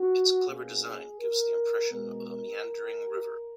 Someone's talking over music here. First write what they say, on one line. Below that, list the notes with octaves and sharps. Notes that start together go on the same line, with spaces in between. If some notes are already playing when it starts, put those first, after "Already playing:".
Its clever design gives the impression of a meandering river.
Already playing: F#4
B2 A#3 C#4 G#4
A#4
B2 G#3 B3 A#4
A#4